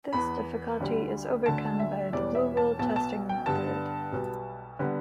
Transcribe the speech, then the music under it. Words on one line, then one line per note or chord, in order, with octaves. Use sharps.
This difficulty is overcome by the bluewool testing method.
E2 E3 B3 B5
D2 D3 G3
D2 D3 A3 A5
E5
E1 E2 E3 G3 D5
E5
A5
B1 B2 B3 A5
A5
G5
G2 D3 G3 B3 A5
B1 B2 G3 B3
D3 G3 B3